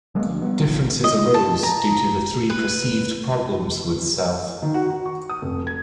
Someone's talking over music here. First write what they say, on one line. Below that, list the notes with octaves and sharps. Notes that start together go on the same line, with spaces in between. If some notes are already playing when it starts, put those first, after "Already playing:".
Differences arose due to three perceived problems with Self.
F#3 G#3 A#3 B3
D2 F3
G3 B3
A#1 E3 F3
D#5
A5
A#5
B4
D#3
F#4
F#4
C#6
D#6
F1
G#6